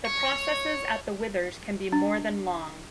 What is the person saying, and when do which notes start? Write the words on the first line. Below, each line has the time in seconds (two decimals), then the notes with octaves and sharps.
The processes at the withers can be more than long.
0.05 C#5
1.92 D4